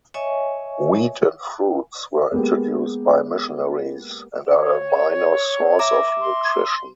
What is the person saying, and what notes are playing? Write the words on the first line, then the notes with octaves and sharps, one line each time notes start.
Wheat and fruits were introduced by missionaries and are a minor source of nutrition.
C#5 D#5 E5 G#5 C#6
G#3 A#3 B3 G4
C#5
E5 A#5 D6
C6